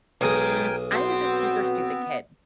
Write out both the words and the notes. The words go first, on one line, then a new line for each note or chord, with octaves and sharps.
I was a super stupid kid,
B1 G#3 G#4 A#4 G5 G#5 A#5
B3 C4 F#4 C6